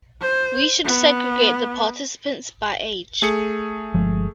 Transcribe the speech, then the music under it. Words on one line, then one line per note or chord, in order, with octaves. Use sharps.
We should segregate the participants by age.
C5
B3
A3 G#4 C#7
G1 F3 G#3